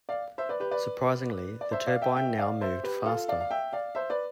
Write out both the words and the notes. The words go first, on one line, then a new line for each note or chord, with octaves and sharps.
Surprisingly, the turbine now moved faster.
D5 F5
C5 E5
B4 D5
G4 B4
B4 D5
D5
C5 E5
D5 F5
E5 G5
E5 G5
D5 F5
C5 E5
G4 B4
F4 A4
D5 F5
F5
E5 G5
D5 F5
C5 E5
B4 D5